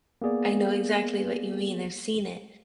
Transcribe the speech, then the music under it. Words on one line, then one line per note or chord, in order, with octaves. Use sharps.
I know exactly what you mean, I've seen it,
A#3 B3 G#4 D5